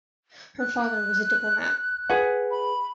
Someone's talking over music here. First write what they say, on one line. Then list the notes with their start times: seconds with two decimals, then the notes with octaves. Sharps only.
Her father was a diplomat.
0.60 F#6
2.09 G#4 B4 F#5
2.51 B5